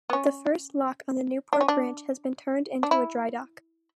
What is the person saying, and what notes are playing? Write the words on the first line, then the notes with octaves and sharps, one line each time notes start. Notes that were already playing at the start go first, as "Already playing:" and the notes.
The first lock on the Newport Branch has been turned into a dry-dock.
B3
C#4
D4
C#4
D4
D4
E4